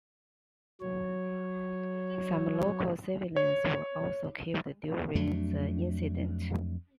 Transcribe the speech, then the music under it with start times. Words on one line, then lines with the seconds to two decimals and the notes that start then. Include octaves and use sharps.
Some local civilians were also killed during the incident.
0.81 F#3 C#5
3.36 C#5
5.15 F2 F#3 A3 D4